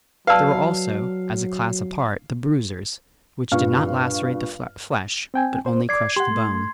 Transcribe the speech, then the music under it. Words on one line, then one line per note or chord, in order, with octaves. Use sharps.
There were also, as a class apart, the bruisers, which did not lacerate the flesh, but only crushed the bone.
F#3 B4 D5 F5 A5 E6
G2 A#2 F5 C#6 F6
C4 G5 G#5
C5
D5 D6 G#6 C7
G4 F#5 C6
A3